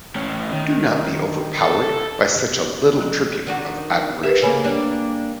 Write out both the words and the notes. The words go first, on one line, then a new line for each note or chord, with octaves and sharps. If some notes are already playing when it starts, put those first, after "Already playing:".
Do not be overpowered by such a little tribute of admiration.
A2 C#4
D#3
A4
F3 C#4 A4
D#3 D4 F#4
G4 A#4 B4 E5
C#3 A#3 G#4 G#5 B5
G3 A#3 D4